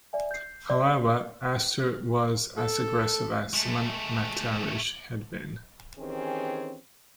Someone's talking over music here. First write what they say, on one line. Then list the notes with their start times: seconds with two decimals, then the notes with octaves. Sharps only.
However, Astor was as aggressive as Simon McTavish had been.
0.13 D5 E5 G#5
0.31 G6 C7
0.70 D5
2.58 A4
3.54 G#3 A3
5.99 D#3 E3 C4 C#4 G4 G#4